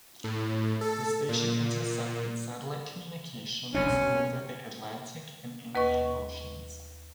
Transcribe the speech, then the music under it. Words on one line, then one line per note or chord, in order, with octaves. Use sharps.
The station intercepted satellite communications over the Atlantic and Indian Oceans.
A2
A4
A#2
F#1 C2 C#4 D4
B2
D#2 B4 D#5 C#6